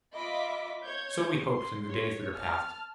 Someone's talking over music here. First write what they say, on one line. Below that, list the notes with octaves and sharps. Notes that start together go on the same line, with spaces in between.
So we hoped in the days that are past.
F4 D#5 E5 B5 D6 B6
C#5 G6 G#6
C6
C#5
A5 F6